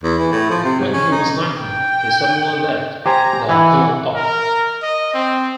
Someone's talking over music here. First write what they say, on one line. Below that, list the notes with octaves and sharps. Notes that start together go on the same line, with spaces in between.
When he was nineteen he suddenly left the Co-op.
E2
E3
A2
F3
C3
G#2
C#4
D#4
G5
G4 C5 G#5 A#5
E3 E4 F#5
A#4
D#5
C4